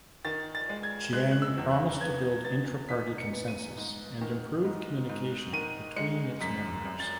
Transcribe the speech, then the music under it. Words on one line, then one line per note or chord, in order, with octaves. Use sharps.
Chiang promised to build intraparty consensus and improve communication between its members.
D#3 A6
A6
G#3
G#6
G#3 F#6
F#6
E6
E2
F#6
B3 G#6
B3 A6
D#4 B6
C#7
B3
D#7
G#2
D#3
G#2
G#2
D#3 D#7
G#3 C#7
F#2 B6
F#2
A6